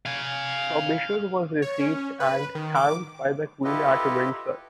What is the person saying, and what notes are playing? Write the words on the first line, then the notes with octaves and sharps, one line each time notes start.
Frobisher was received and thanked by the queen at Windsor.
F5 G#5
C#5
C#4
B4
D#3
D6
E4 F4 G4 A4 B4 D#5